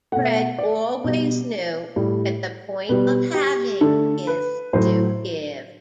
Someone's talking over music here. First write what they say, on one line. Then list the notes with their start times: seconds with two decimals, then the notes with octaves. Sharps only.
Fred always knew that the point of having is to give.
0.12 B2 A3 F#5
0.24 E5
0.36 F#5
0.59 D5
1.04 B2 G3
1.96 A2 G3
2.89 B2 G3 B4
3.34 G4
3.81 D3 A3 A4
4.27 B4
4.73 A2 F#3 A3 C5